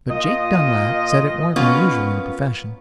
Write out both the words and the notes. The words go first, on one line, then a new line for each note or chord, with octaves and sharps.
But Jake Dunlap said it warn't unusual in the profession.
A#2 F4 D#5
A#3 B3 C#4 F4